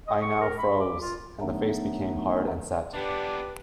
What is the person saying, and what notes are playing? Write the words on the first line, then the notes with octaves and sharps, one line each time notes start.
I now froze, and the face became hard and set.
D#5
C#6
A#4
B5
D6
F4
D#3 F#3 A3 B3 D4 D#4
D3 B3 D4 G4 B4